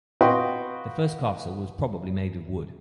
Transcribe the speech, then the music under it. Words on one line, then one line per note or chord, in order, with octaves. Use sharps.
The first castle was probably made of wood.
F4 F#4 B4 D#5 G5 C6